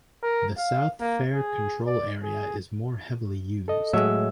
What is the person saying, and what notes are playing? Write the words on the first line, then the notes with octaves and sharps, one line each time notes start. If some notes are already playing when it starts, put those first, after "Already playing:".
The south fare control area is more heavily used.
A#4
F5
A#3
G#4
D5
G#4
A4 D#5
A2 F#3 G#3 E5